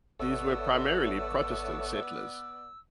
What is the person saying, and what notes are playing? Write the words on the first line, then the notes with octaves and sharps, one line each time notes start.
These were primarily Protestant settlers.
G#1 B3 A4 C#5 D5 E5 E6